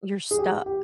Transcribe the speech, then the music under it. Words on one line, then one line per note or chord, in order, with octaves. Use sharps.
you're stuck.
G#4
G4
G4